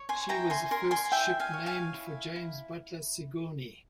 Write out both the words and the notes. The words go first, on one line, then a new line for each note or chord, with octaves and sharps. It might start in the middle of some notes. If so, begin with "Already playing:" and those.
She was the first ship named for James Butler Sigourney.
Already playing: C#5
G#5 C6
E4 G5 A#5
G#5 C6
A#4 G#5 C6
G#5 C6
E4 E5 G5
F5 G#5
C#5
F5 G#5
E4
E4